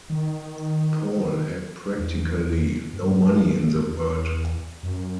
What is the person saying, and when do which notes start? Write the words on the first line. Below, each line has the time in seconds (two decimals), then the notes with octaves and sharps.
Paul had practically no money in the world.
0.10 D#3
1.99 E2
2.93 G2
3.89 E2
4.83 F#2